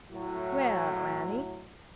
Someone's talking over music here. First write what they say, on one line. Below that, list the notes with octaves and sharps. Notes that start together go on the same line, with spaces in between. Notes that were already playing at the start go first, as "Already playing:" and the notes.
"Well, Annie?"
A2 F#3